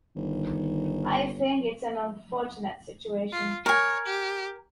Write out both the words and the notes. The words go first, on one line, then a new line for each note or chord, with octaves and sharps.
I think it’s an unfortunate situation.
G1 D#3
F4
A#4 C#5 G#5
G4